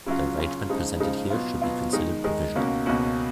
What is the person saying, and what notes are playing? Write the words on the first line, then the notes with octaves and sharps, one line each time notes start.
The arrangement presented here should be considered provisional.
C#3 F#3 C#4 F4
C#3 F#3 C#4 F4
C#3 F3 G#3 D#4
C#3 F3 G#3 D#4
B2 F#3 B3 F4
B2 F#3 B3 F4
D#3 G#3 D#4
D#3 G#3 D#4
C#2 B2 A#3 C#4 F#4
C#2 B2 A#3 C#4 F#4